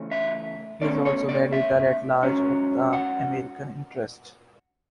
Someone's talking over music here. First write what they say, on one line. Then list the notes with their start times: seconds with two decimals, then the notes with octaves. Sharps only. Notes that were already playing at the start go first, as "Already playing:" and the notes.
He is also the Editor-at-Large of "The American Interest".
Already playing: C#3 E3 A3 C#4
0.11 E5
0.82 B2 A3 C#4 D5
1.05 C#5
1.29 D5
1.52 E5
2.23 G#2 F#3 C#4
2.93 F#5